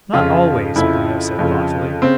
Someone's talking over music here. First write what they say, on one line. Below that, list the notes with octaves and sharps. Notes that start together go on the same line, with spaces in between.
"Not always," Bruno said thoughtfully.
F2 C#3 F3 F4
F2 C#3 F3 E4
F2 C#3 F3
C#3 C4